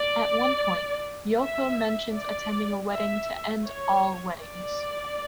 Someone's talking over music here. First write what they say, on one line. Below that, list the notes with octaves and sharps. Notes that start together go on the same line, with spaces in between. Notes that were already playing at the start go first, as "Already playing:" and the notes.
At one point Ryoko mentions attending a "wedding-to-end-all-weddings".
Already playing: D5
E5
D5
E5
C#5
D5